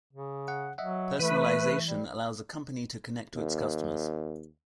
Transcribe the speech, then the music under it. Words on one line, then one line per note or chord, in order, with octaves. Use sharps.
Personalization allows a company to connect to its customers.
C#3
F#5
F#3 D#5 E5 F#5
E3 A3 B4
G3
D#2